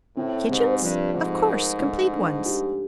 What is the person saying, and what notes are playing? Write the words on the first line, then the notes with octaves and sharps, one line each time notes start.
"Kitchens?--of course--complete ones."
A2 C4
G#2 C3
G2 F3
G#2 A3
A#4
A3
D4
G4